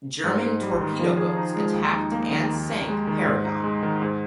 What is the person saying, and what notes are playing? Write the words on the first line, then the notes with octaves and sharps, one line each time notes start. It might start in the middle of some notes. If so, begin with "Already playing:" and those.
German torpedo boats attacked and sank "Paragon".
G#2
G#2
G3
D#3
F3
G#4
D#4
G#3
D#2
D#4
A#3
D#3
D#2
D#2
G#3
D#3
G#2
D#4
G#3
D#3
G#2